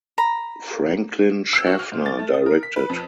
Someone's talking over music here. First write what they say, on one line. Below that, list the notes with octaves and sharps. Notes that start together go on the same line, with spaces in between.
Franklin Schaffner directed.
A#5 B5
E6
F#4
F6
G#2
A6
A3
D#6
A#4
B6
B4
F2